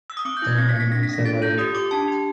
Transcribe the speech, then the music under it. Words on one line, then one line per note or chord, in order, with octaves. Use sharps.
All animals survived.
E6
D#6
C4 D6
G6
E4
G#6
C4 A#6
B6
C4 A#6
B6
D4 A#6
B6
D4 A#6
A4 A6
F4 G6
G4 D#6
G4 D6
D4 A5
G4